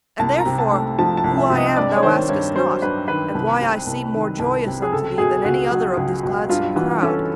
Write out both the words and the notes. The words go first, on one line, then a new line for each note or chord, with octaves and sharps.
And therefore who I am thou askest not, And why I seem more joyous unto thee Than any other of this gladsome crowd.
C2 A5
A#5
C3
A5
A3
F3 A5
A5
C2
E5
C3
D#5
G2 D5
C#5
D#3 C5
G2 C#5
F#3 C5
G2 B4
D#3 B4
C2
C3
C2
D#3
C2
C3
G#4
C#2 A4
B2 G#4
C#2 F#4
F#3 F#4
C#2
B2
G2 F4
E3 F#4
C#4 A4